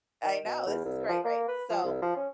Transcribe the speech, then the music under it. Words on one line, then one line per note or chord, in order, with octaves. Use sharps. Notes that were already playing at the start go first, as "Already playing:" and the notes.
I know, this is great, right? So,
D#3
B2
E2
C2
F3
A#3
B4
F3
C2
F3
C#4